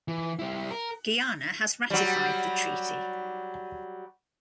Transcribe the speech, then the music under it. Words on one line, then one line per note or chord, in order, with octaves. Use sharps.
Guyana has ratified the treaty.
E3
G3 E4
A#4
F#3 G3